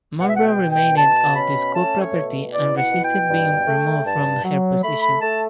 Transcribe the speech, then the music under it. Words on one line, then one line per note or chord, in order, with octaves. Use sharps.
Monroe remained on the school property and resisted being removed from her position.
B2 F#5
E5
F#5
G5
B2
G5
B2 A5
C#4 B5
A3 A5
C#5
B2
E4 D5
F#5
B2
G5
G2
A3
G2 A5
F#3
A3 B5
B5
A3 A5